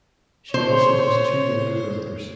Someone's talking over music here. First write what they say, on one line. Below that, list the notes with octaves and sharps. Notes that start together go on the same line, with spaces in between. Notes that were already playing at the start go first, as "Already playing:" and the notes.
She also has two younger brothers.
C5 C#5